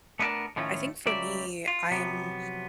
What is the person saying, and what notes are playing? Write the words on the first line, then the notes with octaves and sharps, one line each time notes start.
I think for me, I am
A3 B3 D4 D#4 A#4 A5
A2 D#3 F3 A3 C#4 F4
C#2 C#3 F#3 G3 D5 E5
F4
C3 F3 F#3 B3